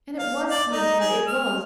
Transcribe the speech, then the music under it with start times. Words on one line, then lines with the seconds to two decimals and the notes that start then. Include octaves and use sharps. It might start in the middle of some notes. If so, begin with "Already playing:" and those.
'And it was, my dear, it was!
0.19 F5
0.50 D5
0.72 D#4
1.00 G#4
1.27 F6